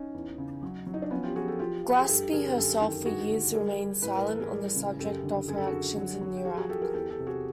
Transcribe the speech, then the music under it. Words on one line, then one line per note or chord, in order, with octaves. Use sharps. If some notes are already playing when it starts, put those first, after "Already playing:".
Glaspie herself for years remained silent on the subject of her actions in Iraq.
Already playing: C#4 D#4
E2
C#3
F#3
F#3
D#4
D4
F3 B3 C#4
F4 G4
F3 F#4 G#4
G4 A4
F3 F4 G4
F3
G#4
G2 G4 A4
D3 G#4 A#4
F#2 G4 A4
D#3 G4 A4
G2 F#4 G#4
D3
G3 G#4 A#4
G3
A2 B4
A#4
E3 A4
G#4 A#4
G3
C#3
F#2 G4 A4
D3
F#2 G#4
A4
F#4 G#4
D3
F#3
F#3
G4
F3 F#4 G#4
F#4 G#4
F3 G4 A4
G#4 A#4
E2 G4 A4
G4 A4
C3
F#4 G#4